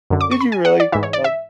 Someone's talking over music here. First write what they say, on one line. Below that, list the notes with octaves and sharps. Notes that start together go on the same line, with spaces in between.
Did you really? Oh,
F#2 D3
D6
C#6
B5
G#5
F#5
D5
G#2 E3 E5
C#5
D5
E5